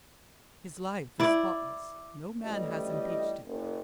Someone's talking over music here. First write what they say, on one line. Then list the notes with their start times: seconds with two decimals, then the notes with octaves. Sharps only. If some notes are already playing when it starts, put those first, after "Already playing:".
"His life is spotless: no man has impeached it."
1.20 E4 D5
2.44 A1 D2 A2 G3 G4 D#5
3.46 F#1